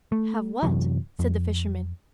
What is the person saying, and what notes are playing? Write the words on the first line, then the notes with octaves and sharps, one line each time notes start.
"Have what?" said the fisherman.
A3
F#2 C3 E3 F#3
F2